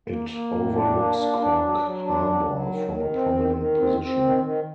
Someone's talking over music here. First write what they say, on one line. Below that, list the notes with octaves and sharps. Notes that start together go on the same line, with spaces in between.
It overlooks Cork harbour from a prominent position.
A#3
A#3
A2
D4
A#3
D4
D4
F#3
F#3
D4
F#3
F#3
D#3
D#3
C4
D#3
D#3
C4
C4
D#3
D#3